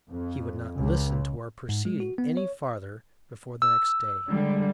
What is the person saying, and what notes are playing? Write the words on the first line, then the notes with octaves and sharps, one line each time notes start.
He would not listen to our proceeding any farther before the next day.
F2
C#2
G#2
G#3
F#4
B3
C#5
E6
D3 G3 G#3